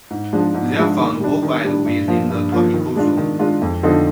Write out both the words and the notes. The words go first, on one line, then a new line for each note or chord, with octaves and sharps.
They are found worldwide within the tropical zone.
G#2
F3 G#3 D4
G#2
F3 G#3 D4
D#3
G3 D4
D#3
G3 D4
G2
F3 A#3 F4
G2
F3 A#3 F4
D#3
G#3 D4 F4
D#3
G#3 D4 F4
F2
D3 F3 C4 D#4